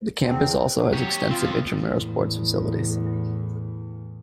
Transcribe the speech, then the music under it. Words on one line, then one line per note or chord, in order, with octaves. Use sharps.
The campus also has extensive intramural sports facilities.
E2 C4
F#3
G4 C#5
F3 C4 F4
E2 A2